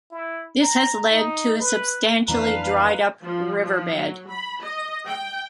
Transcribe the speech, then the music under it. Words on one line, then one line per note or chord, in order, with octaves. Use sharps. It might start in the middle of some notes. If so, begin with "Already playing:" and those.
This has led to a substantially dried-up riverbed.
E4
A#5
D#4
B4
F2 E3 B3 D4 B4 F5 A#5
F3
F3
F#3
B5
D#5
G5